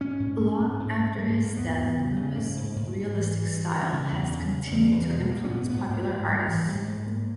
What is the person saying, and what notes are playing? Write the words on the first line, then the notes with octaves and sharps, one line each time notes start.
Long after his death, Loomis' realistic style has continued to influence popular artists.
G#2 C#4
G#2
G#2
G#2
G#2
G#2
G#2 G3
G#3
G#2
A#3
E2 B3
E2
C#3
C#3
G#2 A#3
G#2
G#2
G#2
G2 E3
G2
G2
G2
C#3
E2
C#3
C#3
G#3
E2 G3
E2 E3
G3
B2 G#3
B2 A#3
C#4
G#2 B3
G#2 B3
G#2 A#3
G#2 G#3
G#2 G3
G#2 E3
G#2 G3
G#2 G#3
G2 A#3